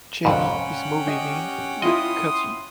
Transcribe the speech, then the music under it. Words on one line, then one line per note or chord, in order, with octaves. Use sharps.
Jamie is moving in with Cathy.
C2 F2 G#2 C#4 F#5 G5 B5
G4 D#5
E4 F4 D#5 C6 D#6